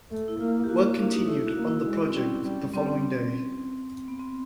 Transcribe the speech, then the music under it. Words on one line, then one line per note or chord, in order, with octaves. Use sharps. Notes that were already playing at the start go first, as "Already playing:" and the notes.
Work continued on the project the following day.
A3
E4
A#3 F4
G4
A#3 F#4
F#4
A#3 D4
D#4
A3 E4
F#4
A#3
E4
G#3
C4
G3 C#4
G3 C#4
G3 C4
C4
B3
C4